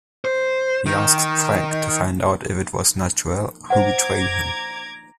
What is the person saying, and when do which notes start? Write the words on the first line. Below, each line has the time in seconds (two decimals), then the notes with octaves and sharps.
He asks Frank to find out if it was Naturelle who betrayed him.
0.25 C5
0.86 D#3
3.70 C5 F#5 A#5 D6 G#6